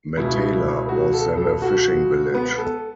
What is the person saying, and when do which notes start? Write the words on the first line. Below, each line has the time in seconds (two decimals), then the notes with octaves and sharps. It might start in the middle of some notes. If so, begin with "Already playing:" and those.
Matala was then a fishing village.
0.17 C#2 B2 E4
0.89 F#4
1.14 A4
1.37 A4
1.62 F#4
2.35 B3
2.58 A4